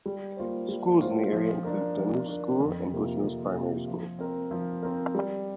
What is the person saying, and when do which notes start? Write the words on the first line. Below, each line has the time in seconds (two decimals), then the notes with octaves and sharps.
Schools in the area include Dunluce School and Bushmills Primary School.
0.06 G3
0.37 A#3 F4 C5
0.69 G3
1.01 A#3 F4 C5
1.33 F3
1.64 D4 A#4
1.96 F3
2.28 D4 A#4
2.60 F2
2.91 C3 A#3 F4
3.24 F2
3.55 C3 A#3 F4
3.88 F3
4.19 C4 A#4
4.51 F3
4.83 C4 A#4
5.15 G3